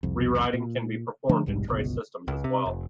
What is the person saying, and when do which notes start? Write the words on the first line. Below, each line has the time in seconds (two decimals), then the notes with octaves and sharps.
Rewriting can be performed in trace systems as well.
0.03 C2 F2
0.53 A#2
1.29 D3 F3 A3 D4
1.46 F1 B1 G#2 G3
1.68 G1 C#2 B2
2.28 C#2
2.44 C3
2.66 F1